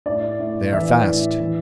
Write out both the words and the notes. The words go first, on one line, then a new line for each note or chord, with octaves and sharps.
They are fast.
A2 D5
A2
E3 E5
A2
E3